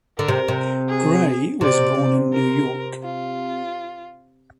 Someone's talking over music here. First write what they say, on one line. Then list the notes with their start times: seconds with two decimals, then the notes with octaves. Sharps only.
Gray was born in York.
0.18 D3 A#4
0.28 C3
0.48 C3
0.89 G#4
1.61 C3 D5
2.33 A#4
3.04 F4